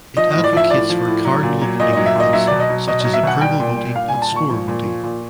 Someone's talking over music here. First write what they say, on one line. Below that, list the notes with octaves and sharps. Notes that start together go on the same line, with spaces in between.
It advocates for cardinal voting methods such as approval voting and score voting.
F3 D#5
A2 D#5
D5
F3 E5
A2 D5
F3
A2
F#3
A#2
F#3
A#2 D#5
F#3 D#5
E5
A#2 D#5
F#3 E5
B2 D5
D#5
F#3
B2 D#5
F#3 D#5
E5
B2 F#5
G3 G5
A#2
G3
A#2 F5
G#5
G3
A5
A#2 C#6
F3
A#2
F3
A#2